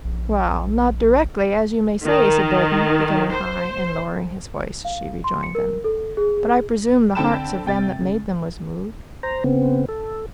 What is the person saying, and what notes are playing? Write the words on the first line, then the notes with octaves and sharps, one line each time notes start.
"Well, not directly, as you may say," said Bolton, beginning high, and lowering his voice as she rejoined them, "but I presume the hearts of them that made them was moved."
A#1
D#3
C5
F5
C6
C#7
A#4
A4
G#4
G#4
D3 C4 G5 A5 B5 E7
C3 G5 A6
C#3
C5 A#5
C#3 B3 C4
A4